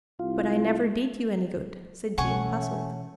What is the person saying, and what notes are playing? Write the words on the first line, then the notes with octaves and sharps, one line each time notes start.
"But I never did you any good," said Jean, puzzled.
C2 F4
B2 E3 A3 C#4 F#5 G#5 C#6